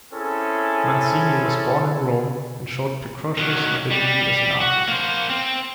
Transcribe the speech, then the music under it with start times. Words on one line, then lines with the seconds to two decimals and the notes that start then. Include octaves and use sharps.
Mancini was born in Rome and showed precocious ability as an artist.
0.13 C4 C#4 E4 G#4 A4
3.37 D#3 F#3
3.90 G3
4.61 F#4
4.88 A#3 C5
5.30 C4